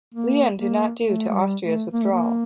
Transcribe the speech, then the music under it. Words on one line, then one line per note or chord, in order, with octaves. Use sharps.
Lyon did not due to Austria's withdrawal.
A#3
A#3
A3
A3
G3
A3
A#3
A3
A#3